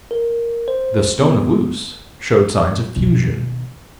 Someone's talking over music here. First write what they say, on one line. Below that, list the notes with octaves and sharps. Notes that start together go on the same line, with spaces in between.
The stone of Luce showed signs of fusion.
A#4
C5
B3
B2 D#3